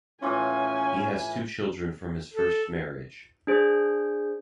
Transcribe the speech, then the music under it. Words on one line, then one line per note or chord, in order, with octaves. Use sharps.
He has two children from his first marriage.
A2 E3 C#4 F4 G#5
A4
D4 G#4 C5